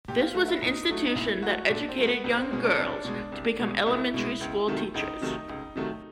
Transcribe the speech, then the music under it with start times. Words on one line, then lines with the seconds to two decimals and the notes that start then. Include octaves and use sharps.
This was an institution that educated young girls to become elementary school teachers.
0.08 A#2 G4
0.21 F4
0.34 F#3 A3 F#4
0.48 E4
0.62 A#2 D#4
0.89 F#3 A3
1.07 D#4
1.15 A#2 E4
1.42 F#3 A3 F#4
1.69 A#2 D4
1.89 C4
1.98 F#3 A3
2.07 B3
2.24 C2 B3
2.37 C4
2.51 B2 G#3 C#4
2.64 D4
2.78 C2
3.05 B2 G#3
3.32 C2
3.59 B2 G#3
3.86 C2 E4
4.14 B2 G#3
4.41 C#2
4.67 C3 D#3 F#3 A3
4.94 C#2 D#4
5.21 C3 D#3 F#3 A3
5.49 C#2
5.76 C3 D#3 F#3 A3